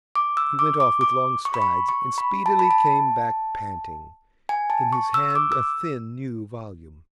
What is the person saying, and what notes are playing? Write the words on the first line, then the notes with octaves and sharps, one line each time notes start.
He went off with long strides, and speedily came back panting, in his hand a thin new volume.
D6
E6
D6
D6
D6
C#6
B5
C#6
C#6
B5
A5
B5
A5
G#5
A5
C#6
E6
E6
D6
E6